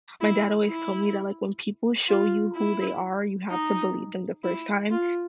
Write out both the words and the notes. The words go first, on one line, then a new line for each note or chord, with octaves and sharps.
my dad always told me that, like, when people show you who they are, you have to believe them the first time,
E4
E4
F4
E4
D#4
E4
F4